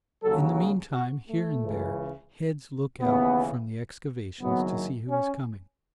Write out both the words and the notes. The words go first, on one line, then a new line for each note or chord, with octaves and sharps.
In the meantime here and there heads look out from the excavations to see who is coming.
D#2 C#3 F#3 A4
G#4
F#4
A3
C#2 C#3 E3
D#2 C#3 E3 B3
F#1 F#2 D#3 F#3 B3
C#4